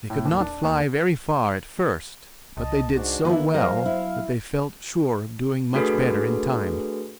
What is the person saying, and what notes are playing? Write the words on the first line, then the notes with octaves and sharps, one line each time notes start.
They could not fly very far at first, but they did so well that they felt sure of doing much better in time.
A2
D#2
D4
D#2
C2 D#5 A5
G#2 D4 F#4
D#3 A#3 B3 E4
F#3 A#4 C5 F5
E4
A3 D4 F#4 G#4 A4 B4